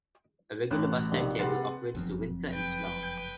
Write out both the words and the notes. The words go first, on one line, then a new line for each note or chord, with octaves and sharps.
A regular bus timetable operates to Windsor and Slough.
A1 F#6
A#1 C3 D#3
C3 G#4 B4 F#5 C6 A6
F#1 F2 C4
B4 G5